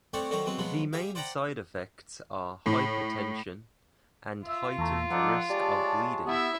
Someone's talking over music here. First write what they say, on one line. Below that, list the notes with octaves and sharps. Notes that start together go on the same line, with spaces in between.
The main side effects are hypertension and heightened risk of bleeding.
A3 C4 D4 C5 C#5 F#5
D3 D#3 F#3 F#4 A#4 C5
F#3 G#3 B3 C4
F3 F#3 G#3 B3
G4 G#4 E5 F5
C5 D5 F#5 G5 A#5 B5
A2
F4 E5
E2 A3 A#5
F3 D#4 A4 D5 F#5
G#3 G4 C#5 D5 A5
B3 E4 E5